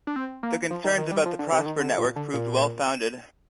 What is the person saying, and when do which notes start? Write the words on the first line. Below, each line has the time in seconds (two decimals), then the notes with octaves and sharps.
The concerns about the Prosper network proved well-founded.
0.07 D4
0.16 C4
0.43 A#3
0.70 F3
0.84 D#3
0.98 D#3
1.11 G3
1.26 F3
1.39 D3
1.52 C3
1.59 D3
1.66 D#3
1.80 D3
1.98 A#2
2.16 D3
2.34 A#2